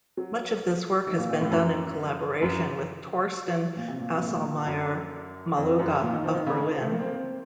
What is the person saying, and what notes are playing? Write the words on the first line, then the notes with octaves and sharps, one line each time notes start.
Much of this work has been done in collaboration with Torsten Asselmeyer-Maluga of Berlin.
F#3
D#3
A#2
A#2
A2
F#2
F#2
A#2
C3
A#2
C3
A#2
A2
A#2
F#2
F2
F#2
A#2
D#3
F3
D#3
C#3
D#3
F3
A3
A#3
C4
A#3
C4